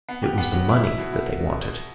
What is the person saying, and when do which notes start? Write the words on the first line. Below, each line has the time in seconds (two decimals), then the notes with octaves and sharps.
It was the money that they wanted.
0.09 B3
0.23 G4
0.38 B3
0.53 F#3
0.69 E4
0.84 E4
0.98 B2
1.13 E4